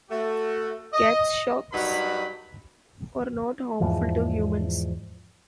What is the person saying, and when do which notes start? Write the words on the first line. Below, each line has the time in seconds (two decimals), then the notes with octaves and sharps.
Catsharks are not harmful to humans.
0.10 A3 F#4
0.93 D#5
1.72 G2 F#3 D#4 F#4 A#4 B5
3.80 E2 G#2 E3 F3